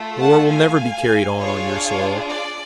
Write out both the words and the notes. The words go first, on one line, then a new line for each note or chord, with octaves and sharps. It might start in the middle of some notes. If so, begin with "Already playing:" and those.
The war will never be carried on on your soil.
Already playing: A3 F4 A4
F#5 A5
F5 G#5
D4 F4 G#4 C#5 F5
D5